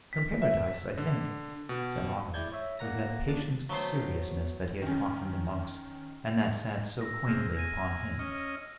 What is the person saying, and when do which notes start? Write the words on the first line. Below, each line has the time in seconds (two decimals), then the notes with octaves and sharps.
"From paradise, I think," said Otto, with that patient seriousness that he had caught from the monks, and that sat so quaintly upon him.
0.13 B6
0.42 E5
0.98 D3
1.69 B2
2.34 G#1 G#3 E4 D5 G6 G#6
2.52 C#5 E5
2.79 A#2 A#3 F#5 A#5 A#6
3.28 G1 A#2 C#3 D4 A6
3.69 F#3 A3 B3 C5
4.82 D#3 C#4
7.01 E6 A#6
7.27 C3 G#3 F6
7.57 G#5 A#6 D#7
8.19 C#4 D#5 F6